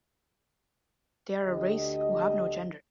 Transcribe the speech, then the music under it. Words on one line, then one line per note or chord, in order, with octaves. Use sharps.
They are a race who have no gender.
D2 D3 G4 D#5